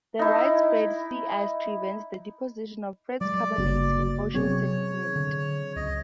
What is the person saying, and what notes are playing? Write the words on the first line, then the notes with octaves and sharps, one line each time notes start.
The widespread sea ice prevents the deposition of fresh carbonates in ocean sediment.
D#4 E4
F#3 G#3 D5 D6
G1 C#3 A#3 F#4
C3 F#3 B3 C4 G#4 C#5
D3
C#2 D#5